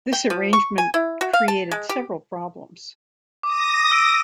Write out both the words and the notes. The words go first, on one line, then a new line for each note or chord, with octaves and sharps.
This arrangement created several problems.
G5
F3
C#6
G#5
E4
F#4
F5
A5
G#3
G4
D6 D#6 A#6
E6 D7